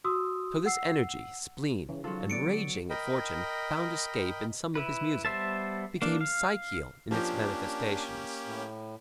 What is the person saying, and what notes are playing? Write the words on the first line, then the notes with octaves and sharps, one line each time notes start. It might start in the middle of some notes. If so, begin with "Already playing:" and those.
So this energy, spleen and raging at fortune found escape in some of his music, became psychical in its manifestations.
F#4 C6 D#6 E6
F#5 E6 C7
C#3 E3
D#3 F#3 F4 A4
D3 B3 D5 C#7 D7
A#4 D#5 G5 B5
E4 B4
G3 B3 C5 E5 A5
A#3 D4
F5
F3 A#3 C#4 D4 G4
A2